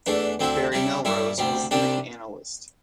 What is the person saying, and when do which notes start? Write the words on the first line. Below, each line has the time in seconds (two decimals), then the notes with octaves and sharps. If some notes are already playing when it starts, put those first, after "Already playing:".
Barry Melrose was the main analyst.
0.06 E2 E3 A3 D4
0.39 D2 D3 C4 E4
0.72 C3 G3 E4
1.05 G2 G3 E4
1.38 D2 C3 G3
1.71 C2 C3 G3 D4